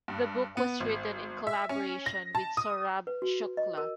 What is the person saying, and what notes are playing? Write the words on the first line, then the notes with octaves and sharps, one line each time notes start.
The book was written in collaboration with Saurabh Shukla.
G2
B3
G#1
E5
C#4
A#6
A5
D#6
B4
F#4
D#5
A#4